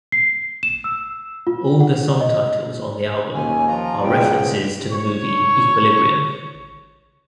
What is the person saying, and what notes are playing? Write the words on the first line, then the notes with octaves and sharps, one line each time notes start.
All the song titles on the album are references to the movie "Equilibrium".
C7
E7
E6
F4
F#5
D#5
D#2 C#4 G#5
F3 F4 A#5
C#2 G#2 G5
C#5 C#6